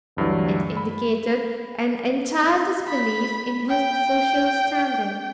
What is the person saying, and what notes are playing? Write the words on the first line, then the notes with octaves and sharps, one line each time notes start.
It indicated an entire disbelief in his social standing.
D2 G2 E3 F#3
B5
B5
G5